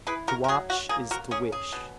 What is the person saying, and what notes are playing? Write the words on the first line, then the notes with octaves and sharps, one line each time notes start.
To watch is to wish.
E4 G#4 B4
F#4 A#4
A#4
F#3 G#4
F#4
A#3 G#4
F#4 A#4
C#4 G#4
G#4
B2